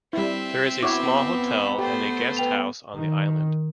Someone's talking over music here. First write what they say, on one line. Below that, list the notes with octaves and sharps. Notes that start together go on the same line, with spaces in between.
There is a small hotel and a guest house on the island.
G3 C4 E4 E5
B3 E4 F#4 C#5 D6
A3 G4 C5
B4 G5 F7
D#3